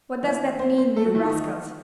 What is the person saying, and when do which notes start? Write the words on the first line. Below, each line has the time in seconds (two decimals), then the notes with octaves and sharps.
What does that mean, you rascals?
0.23 E3 E4
0.59 C4 C5
0.78 C4 C5
0.96 A3 A4
1.05 F#3 F#4
1.15 E3 E4
1.24 D#3 D#4